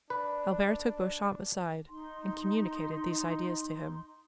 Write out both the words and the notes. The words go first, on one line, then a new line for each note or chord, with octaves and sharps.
Albert took Beauchamp aside, and communicated these ideas to him.
D4 B4 D5
D#4 C6